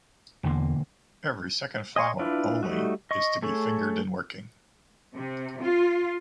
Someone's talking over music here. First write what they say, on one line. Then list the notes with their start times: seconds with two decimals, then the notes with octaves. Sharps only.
Every second flower, only, is to be fingered in working.
0.43 E1 E2 D3 A#3
1.96 D#5 G#5 C6 C#6
2.19 D4 E4 F4 B4
2.63 G3 A3 D#4 F#4
3.11 D#5 C#6
3.42 A3 G#4 A4 C#5
5.15 C3
5.61 F4